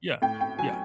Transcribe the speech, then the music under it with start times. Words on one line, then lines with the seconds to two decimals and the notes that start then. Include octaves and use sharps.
yeah, yeah.
0.22 A2 G5
0.41 G5
0.59 F#3 G#5